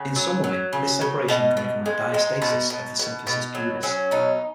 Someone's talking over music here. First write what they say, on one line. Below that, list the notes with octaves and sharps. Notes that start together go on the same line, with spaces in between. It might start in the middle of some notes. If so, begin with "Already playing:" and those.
In some women this separation can become a diastasis of the symphysis pubis.
Already playing: C#3 F#5
F#3
F#3
C#3
C#3
B2 D#5
B2
G#3
G#3 D#4
B2
B2
B2
B2
F#3
F#3 C#4
B2 D#4